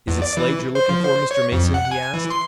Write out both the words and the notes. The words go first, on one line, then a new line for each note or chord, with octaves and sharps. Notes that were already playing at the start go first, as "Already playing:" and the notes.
"Is it Slade you're looking for, Mr. Mason?" he asked.
E2
D5
E3
C5
F3
C5
C#5
F2
F#5
G#5
E3
C6